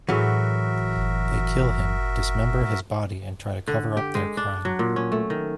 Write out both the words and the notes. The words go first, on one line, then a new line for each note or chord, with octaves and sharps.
They kill him, dismember his body and try to cover up their crime.
A2 E3 F#3 F#4 G#4 A#4 E5
D3
G4
G#3
D4
F#3
A#2
C#4
A3
D#3